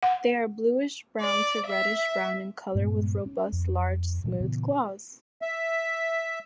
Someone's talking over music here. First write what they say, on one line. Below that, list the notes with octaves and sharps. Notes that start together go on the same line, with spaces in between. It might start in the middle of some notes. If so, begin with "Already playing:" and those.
They are bluish-brown to reddish-brown in colour with robust, large, smooth claws.
F#5
D5
E5
G2 A#2 G#3 B3
C#4
F2
A#2 E3 G3
A#2 C#3 E3 B3
E5